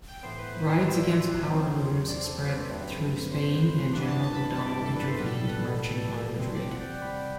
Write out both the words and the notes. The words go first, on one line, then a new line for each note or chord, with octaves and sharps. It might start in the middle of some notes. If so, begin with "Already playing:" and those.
Riots against power looms spread through Spain, and General O'Donnell intervened, marching on Madrid.
G5
A2 E3 B3 C5
B4
C5
B4
C5
E5
D5
D5
B4
C5
E2 C3 F#3 C4
D5
A4
B4
A4
B4
G2 F#3 A3 C4
C5
G2 E3 B3 D4
A5
A5
B5
B5
A5
D5
A4
B4
C5
A2 G3 B3 B4
A4
A4
B4
C3 G3 C4
D5
F#5
G5
G5
B5